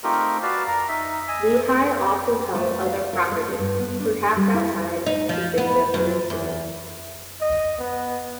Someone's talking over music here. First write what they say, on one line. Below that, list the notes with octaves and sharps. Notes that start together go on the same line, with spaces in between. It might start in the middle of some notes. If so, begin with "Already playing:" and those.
Lehi also held other property, perhaps outside the city of Jerusalem.
A3 C4 D#4 F4 G4 A#4
F#4 B4 D5 F5 A5
A#4 A#5
D#4 E5
D#5 G#5 E6
A3
F5
A#4
A3
G2
B3
D4
G3
E4
D#4
F3
B3
F#2
E2
D#5
B3